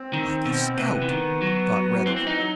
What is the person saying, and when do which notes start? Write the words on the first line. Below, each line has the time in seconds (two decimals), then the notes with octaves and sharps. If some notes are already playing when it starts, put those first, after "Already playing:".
"Like a scout," thought Retherton.
Already playing: C4
0.13 D#3
0.45 B2
0.77 C3 B3
1.02 E3
1.10 D#3
1.42 F#3
2.06 E3 C4
2.16 C4
2.27 D#4
2.38 F#3